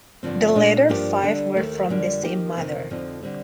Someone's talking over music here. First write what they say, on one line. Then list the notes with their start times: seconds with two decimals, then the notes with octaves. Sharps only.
The latter five were from the same mother.
0.23 G2 D3 F3 C4
0.56 A#2 A3 D4
0.89 G2 F3 A#3 D4 G4
1.22 D3 G3 D4
1.55 D#2 D#3 A3
1.89 F2 D3 G3 A#3 D4
2.23 D#3 A#3 D#4 G4
2.56 F2 C3 D#3 G3 A#3
2.90 F2 D3 F3 C4 D#4
3.22 D3 G3 C4